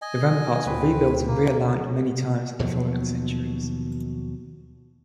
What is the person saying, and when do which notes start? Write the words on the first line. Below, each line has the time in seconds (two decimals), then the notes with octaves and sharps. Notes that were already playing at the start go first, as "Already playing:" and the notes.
The ramparts were rebuilt and re-aligned many times in the following centuries.
0.02 D#5 G#5
0.66 D2 C4 B4
1.27 A#3
2.59 D#2 B2 F3 F#3